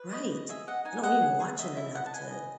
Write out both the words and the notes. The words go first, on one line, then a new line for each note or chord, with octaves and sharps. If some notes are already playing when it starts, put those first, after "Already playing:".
Right. I don't even watch it enough to
Already playing: B4
D#5
D#5
G#4 E5
D#5 F#5
D#4 G#5
D#5 F#5
G#4
G#4
D#5 E5
E4 E5
D#5 F#5
A5
B4 G#5
D#5